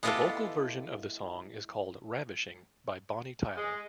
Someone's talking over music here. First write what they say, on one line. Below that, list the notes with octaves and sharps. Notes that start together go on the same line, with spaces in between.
The vocal version of the song is called "Ravishing" by Bonnie Tyler.
G#3 B3 E4 F4 G4 A4
G#3